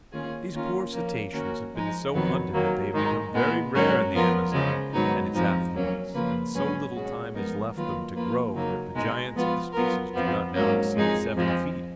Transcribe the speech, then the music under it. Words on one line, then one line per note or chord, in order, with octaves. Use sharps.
These poor cetaceans have been so hunted that they have become very rare in the Amazon and its affluents, and so little time is left them to grow that the giants of the species do not now exceed seven feet.
D#3 A#3 C#4 F4 G#4
D#3 A#3 C#4 F4 A#4
F3 A#3 C#4
D#3 A#3 C#4 F#4 A#4
F3 G#3 D#4
F2 D#3 F#3 B3 D#4
D#3 F#3 A#3
G#2 D#3 G#3 D#4
A#2 G#3 B3
G#2 F#3 C#4 F#4 A#4
F3 B3 F4 A#4
C#3 F3 G#3
G#2 D#3 F#3 B3 D#4
F2 F3 G#3 D#4
F#3 A#3 C#4
C#3 F3 A#3 F4 B4
G#2 F#3 C#4 G#4 B4
B2 G#3 C#4 F#4
F3 G#3 B3 D#4 A#4
D#3 F#3 A#3 F4 B4
F3 A#3 F4 B4
C#3 F#3 A#3 D#4
B2 G#3 D#4
F3 G#3 B3 F4 B4
F#3 B3 F4 A#4
F2 F3 B3
G#2 F#3 A#3 C#4
F2 F3 G#3 D#4 G#4
F2 F3 G#3